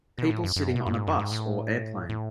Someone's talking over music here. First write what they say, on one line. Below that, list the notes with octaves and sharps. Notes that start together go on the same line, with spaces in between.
People sitting on a bus or airplane.
B2
A2
F#2
F#2
B2
F#2
G#2
F#2
G#2
A2
A2